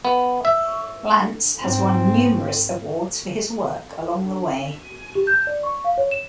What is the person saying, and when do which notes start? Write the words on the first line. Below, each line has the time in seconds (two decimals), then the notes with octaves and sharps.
Lantz has won numerous awards for his work along the way.
0.05 B3
0.45 E5
1.62 G#2 C4
5.15 G4
5.27 G6
5.47 D5
5.63 C#6
5.84 F5
5.98 C#5
6.11 E7